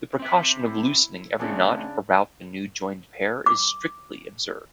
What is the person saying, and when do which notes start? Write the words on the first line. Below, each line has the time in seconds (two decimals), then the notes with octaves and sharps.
The precaution of loosening every knot about the new-joined pair is strictly observed.
0.19 C4 E5
0.66 E4
1.39 C#3 E3 A3 C4 D4 G#4
3.46 D6